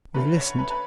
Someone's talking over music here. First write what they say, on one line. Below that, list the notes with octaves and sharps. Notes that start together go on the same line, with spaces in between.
We listened.
D3 A3 C#4 B4
C#5
B4
B4